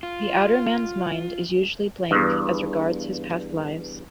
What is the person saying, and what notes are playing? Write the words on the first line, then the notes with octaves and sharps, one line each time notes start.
The outer man's mind is usually blank as regards his past lives.
F4
E2 G2